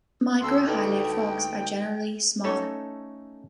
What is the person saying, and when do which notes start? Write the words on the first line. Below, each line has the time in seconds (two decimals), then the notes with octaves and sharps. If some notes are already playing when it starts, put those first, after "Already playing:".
Microhylid frogs are generally small.
0.41 D2 C6 E6
0.67 D#4 A4 B4 G5
2.44 A3 C#4 D#4 A4 C#5